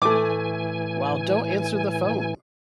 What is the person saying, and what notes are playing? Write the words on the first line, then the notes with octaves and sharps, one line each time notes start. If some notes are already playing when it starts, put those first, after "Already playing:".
While Don't Answer the Phone!
A2 E3 A3 G#5 D6